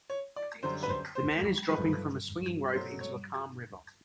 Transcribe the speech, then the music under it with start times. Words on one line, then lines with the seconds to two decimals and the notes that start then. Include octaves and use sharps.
The man is dropping from a swinging rope into a calm river.
0.10 C#5
0.36 D5
0.63 F#2 D3 G3 C5
0.83 B4
0.89 C5
1.15 C5
1.68 G#2 F3 A3 B4
2.74 B2 F#3 A3 C5
3.01 C#5